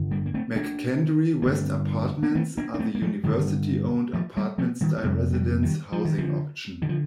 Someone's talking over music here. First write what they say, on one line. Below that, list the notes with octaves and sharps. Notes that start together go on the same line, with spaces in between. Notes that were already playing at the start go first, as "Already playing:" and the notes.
McKendree West Apartments are the university-owned apartment-style residence housing option.
Already playing: G2 D3
G3 A#3
A#3
A3 C4
A#3 D4
A#3
G2 D3 A3 C4
A#3
A3 C4
A#3 D4
D4
A3 C4
A#3
F3 A3
G2 D3 D#3 G3
F3 A3
G3 A#3
F3 A3
D#3 G3
A3
F2 C3 G3 A#3
G3 A#3
D#3 G3
F3
D#3
D3 F3
D3 D#3
F3